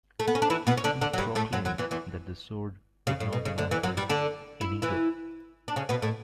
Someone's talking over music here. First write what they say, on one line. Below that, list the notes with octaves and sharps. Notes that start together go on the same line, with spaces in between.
He proclaimed that the sword would now belong to Inigo.
A3
B3
C#4
D4
E3 E4
B2 B3
C#4
D3 D4
D3 D4
F#3
G2 G3
A2 A3
F#2 F#3
F#2 F#3
E2 E3
E2 E3
C#3
A2
B2
C#3
D2 D3
E2 E3
F#2 F#3
G2 G3
D3 D4
E4
E3 E4
D4
C#3 C#4
B2 B3
A2 A3